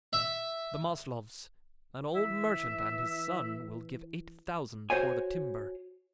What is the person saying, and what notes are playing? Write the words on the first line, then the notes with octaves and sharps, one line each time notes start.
The Maslovs, an old merchant and his son, will give eight thousand for the timber.
E5
E3 E5
F#4 C5 C#5 G#5